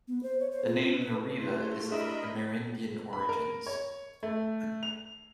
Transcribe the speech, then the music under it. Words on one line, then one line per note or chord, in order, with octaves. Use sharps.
The name "Nariva" is of Amerindian origins.
B3
C5
C#5
C5
F4
C#4
B4
A3 E4 F4 G4
D4 A#4 D#5 E5 B5
B5
A#4
C#5
A3
F7